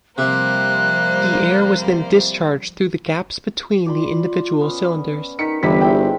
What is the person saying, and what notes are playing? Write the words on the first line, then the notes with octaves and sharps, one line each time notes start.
The air was then discharged through the gaps between the individual cylinders.
C3 F3 G3 A#3 C5 F#6
F4 D5 B5 C6
B3 C#4
D#3 D#4 B6 C#7
G1 E2 G3 G#3 C4 E4 G4 B6
E4 C5 G5 G#5